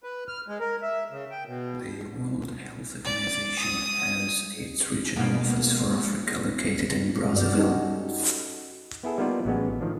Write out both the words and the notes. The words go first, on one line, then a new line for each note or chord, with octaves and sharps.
The World Health Organization has its regional office for Africa located in Brazzaville.
B4
F6
G#3
A#4
E5
C#3
G5
B2
D5
D#6
B2 A#3 B3
G2 G#3 F#4 D5
C#4 D#4 F#4 G4 A4 D#5
B3 E4 G#4 A4
G3 A#3 B3 D#4 F4 D5
A1 F#3 G#3 B3 C#4
D#3 F3 D4